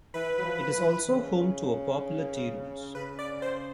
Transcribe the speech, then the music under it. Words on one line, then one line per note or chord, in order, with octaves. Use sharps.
It is also home to a popular Tea Rooms.
E3 B4
F#3
F3
E3
C#3
C#3 B4
D5
C5